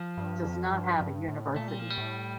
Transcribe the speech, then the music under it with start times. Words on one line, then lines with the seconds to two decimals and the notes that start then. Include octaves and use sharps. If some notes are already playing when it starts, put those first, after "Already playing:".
It does not have a university.
Already playing: F3
0.17 G2
0.45 F2
0.72 G2
1.00 G2
1.28 A2
1.56 A#2 A3
1.68 G3
1.79 F3
1.90 G3
1.98 A2